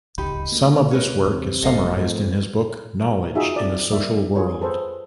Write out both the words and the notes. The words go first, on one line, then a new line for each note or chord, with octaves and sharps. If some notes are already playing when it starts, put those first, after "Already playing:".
Some of this work is summarized in his book "Knowledge in a Social World".
D1 G#1 C#2 D#4 G4 B5
D2 A#3
C#2 A#4 B4 C#5
E2 C3
G1 E2 A3 A4 D#5 F5
F2 G#2 A3
D#4 F4 F#4 G#4 E5
C4 A4 D5
G3 A#3 D5 E5
F4 G#4 C#5
G#4 A4 B4 C5